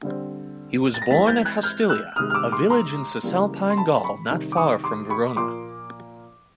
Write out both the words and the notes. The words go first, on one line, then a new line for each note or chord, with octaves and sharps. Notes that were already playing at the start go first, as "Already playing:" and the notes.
He was born at Hostilia, a village in Cisalpine Gaul not far from Verona.
D3 G3 C4
A6
A#6
E3 G#3 C4 A6 B6
G6 A6
F#6 G#6
F6 G6
E6 F#6
C3 D#3 G#3 D#6 F6
F6
D6 E6
C6 D6
A#5 C6
C#3 E3 G3 A#3
C6
A5 B5
B5 C#6
C3 D#3 G3
D6
C#6 D#6
C6 D6
B5 C#6
A#2 F3 A#3 C6 D6